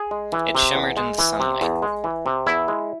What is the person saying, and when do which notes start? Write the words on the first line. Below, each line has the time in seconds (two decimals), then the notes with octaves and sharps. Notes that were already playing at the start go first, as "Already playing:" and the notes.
It shimmered in the sunlight.
Already playing: G#4
0.11 G#3
0.32 E3
0.55 C3
0.75 E2
0.97 G#3
1.18 E3
1.40 C3
1.61 E2
1.82 G#3
2.04 E3
2.26 C3
2.46 E2 E4
2.68 G#3